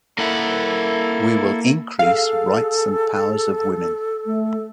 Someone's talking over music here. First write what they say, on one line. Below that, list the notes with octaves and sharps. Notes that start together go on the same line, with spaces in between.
We will increase rights and powers of women.
A#3 E4 A4 A#4 F#5
G#4 A4 F5
A3